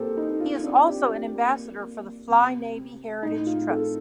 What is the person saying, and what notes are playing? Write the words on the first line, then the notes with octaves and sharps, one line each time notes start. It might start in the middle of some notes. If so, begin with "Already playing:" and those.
He is also an Ambassador for the Fly Navy Heritage Trust.
Already playing: A#2 C4 G4 A4 A#4 C5
D#4
C4 F4
D4
C4 G4
A#3
A#3
C3
C4
A2 D#4
F4
C4 A4